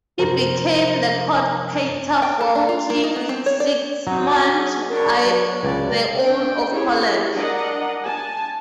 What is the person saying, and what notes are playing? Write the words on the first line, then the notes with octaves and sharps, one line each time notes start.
He became the court painter for King Sigismund I the Old of Poland.
F#2 C3 F3 A#4 C5
G5
A4
D4
F4
A#3
D#4
B3
C4
C#5
D5
F#3 D#4 F#4
G#4
D4 A#4 C#5
F#3
C#2 D5
D4 G5
C#4 E4 G4 G#4 C#5
D4 A#4 D#5 F#5
G#5 A5